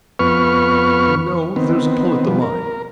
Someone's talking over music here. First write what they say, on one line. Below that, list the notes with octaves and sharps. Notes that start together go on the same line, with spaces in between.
No, there's a pull at the line.
F2 B3 B4 C#6 F6
D#3 B3 C4
F3 G3 B3
A#4